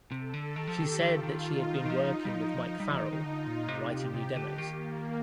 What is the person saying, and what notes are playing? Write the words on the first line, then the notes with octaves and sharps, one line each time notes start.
She said that she had been working with Mike Farrell and writing new demos.
C3 A4
D3
D#3 G4
F3
D#3
D#3 F4
D#3
D#4
D#3
F3
G3
F3
F3
G3 D#4
F3
D#3
D#3
D3 F4
A#2
C3 G4
C3
C3
D3
D#3 A#3